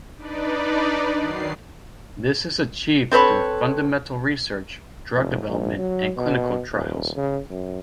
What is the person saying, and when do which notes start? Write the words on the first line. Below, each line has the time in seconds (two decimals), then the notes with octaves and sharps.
This is achieved through fundamental research, drug development and clinical trials.
0.17 D4 D#4 B4 D5
1.18 D#3 F#3 C7
3.12 C4 A4 B4 C#5
5.16 F1
5.48 A#1
5.78 F#3
6.17 B2
6.72 D#1
7.17 C#3
7.50 F#2